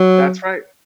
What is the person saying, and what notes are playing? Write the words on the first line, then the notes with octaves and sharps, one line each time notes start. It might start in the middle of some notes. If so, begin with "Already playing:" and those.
That's right.
Already playing: F#3